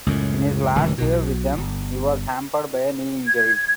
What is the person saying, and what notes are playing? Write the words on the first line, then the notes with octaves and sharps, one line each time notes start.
In his last year with them he was hampered by a knee injury.
C#2 F#2 A2
D1 C#2 D#3 E3
B1 B2
G1
G#6